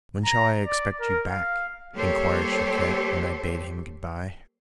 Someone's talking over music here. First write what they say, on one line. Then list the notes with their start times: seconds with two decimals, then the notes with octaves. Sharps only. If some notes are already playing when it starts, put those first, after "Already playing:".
"When shall I expect you back?" inquired Choquette, when I bade him good-bye.
0.25 A#5
0.66 D5
1.00 A#4
1.31 F5
1.95 G3 A#3 G4 A4 C5 C#5